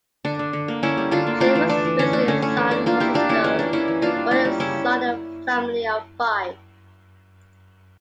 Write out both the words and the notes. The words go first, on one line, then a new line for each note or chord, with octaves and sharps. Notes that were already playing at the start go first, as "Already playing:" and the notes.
Shelley was raised in San Francisco, the only son in a family of five.
D3 D4
D3
D3
A#3
D3 C#4 E4
G3
D3 D4 F4
A#3
A3 D4 F4
E3
E3 D4
E3
D3 C#4
A3 D4
D3 C#4
A3 C#4
E3
A#3 D4
A#3 D4 F4
A#3 E4 G4
A#3 D4 F4
A#3 C#4 E4
E3 C#4
A#3 D4
E3 C#4 E4
E3
A#3 D4 F4
G3
A#3 C#4 E4
G3
C#3 C#4 E4